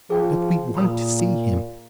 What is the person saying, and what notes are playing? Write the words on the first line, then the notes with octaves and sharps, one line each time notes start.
But we want to see him.
F3 G#4 G5
A#2 B5 D#6